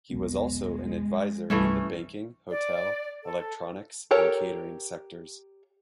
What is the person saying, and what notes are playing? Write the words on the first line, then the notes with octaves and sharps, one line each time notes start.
He was also an adviser in the banking, hotel, electronics, and catering sectors.
E1 B1 G#3 B3
C2 G2 E3 G3 A3 C#4
D5
A4
G4 A4 A#4 C#5